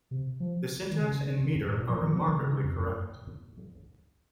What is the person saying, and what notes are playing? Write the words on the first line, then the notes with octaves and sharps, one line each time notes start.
The syntax and metre are remarkably correct.
C3
F3
D#3
C#3
D#3
F#2
A2
A#2
F3
D#3
F3
D#3
C#3
C#3
F2
F#2